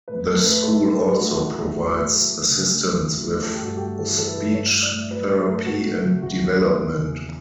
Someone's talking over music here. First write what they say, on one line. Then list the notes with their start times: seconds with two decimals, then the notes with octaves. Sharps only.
The school also provides assistance with speech therapy and development.
0.08 A2 B4
0.26 A2 A4
0.46 A3 B4
0.64 A2 A4
0.83 A2
0.92 G4
1.01 A3
1.20 A2 F#4
1.38 A3
1.57 A2
1.76 F#3
1.95 A3
2.13 A3
2.31 A3
2.50 C#3
2.68 A3
2.88 A3
3.06 F#3
3.25 A3
3.43 A3 A4
3.54 G4
3.62 G2 F#4
3.77 G4
3.81 A3
3.99 E3 A4
4.17 E3 A4
4.27 B4
4.37 G2
4.55 A2 C#5
4.74 A2
4.83 D5
4.92 A2
5.11 F#3 B4
5.29 A2
5.39 A4
5.48 A2
5.66 A3 F#4
5.85 F#3
6.03 C#3
6.22 C#2 F#4
6.41 C#2
6.60 A3
6.78 E2
6.97 C#3